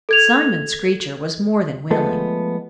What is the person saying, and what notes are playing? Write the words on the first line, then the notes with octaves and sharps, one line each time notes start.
Simon Screecher was more than willing.
A4 G#6 F7
F3 G#3 A3 B3 A4